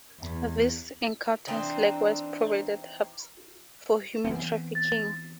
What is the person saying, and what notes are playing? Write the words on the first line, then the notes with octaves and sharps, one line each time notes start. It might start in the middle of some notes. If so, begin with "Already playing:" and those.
These encounters likewise provided hubs for human trafficking.
E2
E3 C4 D4 D#4
E3 B3 C4
A6